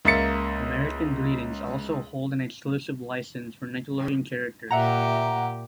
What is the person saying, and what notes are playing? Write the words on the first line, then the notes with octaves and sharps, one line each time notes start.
American Greetings also holds an exclusive license for Nickelodeon characters.
C#2 A#3 E5 A6 C#7
A#2 G4 E5 F#5 A#5